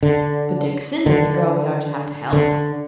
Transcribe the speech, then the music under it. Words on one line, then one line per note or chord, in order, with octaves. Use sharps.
'But Dixon, and the girl we are to have to help?'
D3
D3
D3